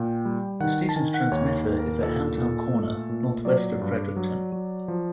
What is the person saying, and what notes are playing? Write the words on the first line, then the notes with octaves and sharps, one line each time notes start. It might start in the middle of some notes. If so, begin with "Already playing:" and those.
The station's transmitter is at Hamtown Corner, north west of Fredericton.
Already playing: A#2 G5
G3
D#3 F#5
A5
D#3 G#5
F#5
D#2 C#5
D#2
A#4
A#2 A4
A#2
A3
A#2
F#3 D5
G2
F#3
F#3
F3